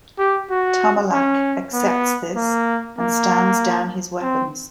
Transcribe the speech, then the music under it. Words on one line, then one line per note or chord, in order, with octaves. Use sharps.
Tomalak accepts this and stands down his weapons.
G4
F#4
C#4
B3
A#3
A#3
C4